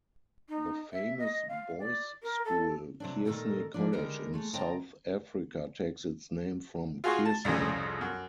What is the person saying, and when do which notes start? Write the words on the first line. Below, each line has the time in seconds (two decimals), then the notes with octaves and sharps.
The famous boys' school Kearsney College in South Africa takes its name from Kearsney.
0.49 D#4
0.92 E5
1.19 D#5
1.48 F5
1.79 D5
2.23 A#4
2.45 A4
3.00 C3 F#3 D4
3.26 A#2 D#3 F3 A4 A#4 A#5
3.74 F3 A#3 D4
3.93 D3 D#3 G3 G#3 A#4
4.34 G#3 A3
4.53 C#3 C4 D#5 G5 A5 A#5
7.04 F4 F#4 G#4 C6 C#6
7.25 A5
7.45 C2 F2 C#3 C#4
8.01 F#2